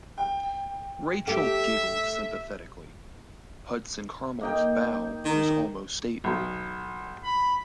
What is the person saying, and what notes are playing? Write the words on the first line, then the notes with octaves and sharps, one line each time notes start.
Rachael giggled sympathetically; Hudson Caramel's bow was almost stately.
G5
A3 G4 E5
A#3 D#4 G5
D#3
B1
B5